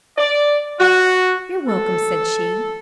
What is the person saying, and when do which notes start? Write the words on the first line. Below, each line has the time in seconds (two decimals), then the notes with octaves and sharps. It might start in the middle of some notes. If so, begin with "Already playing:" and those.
"You're welcome," said she.
0.18 D5
0.80 F#4
1.68 A4